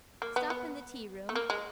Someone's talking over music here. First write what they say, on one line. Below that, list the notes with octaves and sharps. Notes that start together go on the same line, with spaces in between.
'Stop in the tea-room.
A#3
B3
B3
A3
A#3
G#3